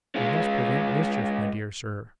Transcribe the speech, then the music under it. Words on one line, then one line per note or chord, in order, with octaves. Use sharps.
You must prevent mischief, my dear Sir.
G#3 F4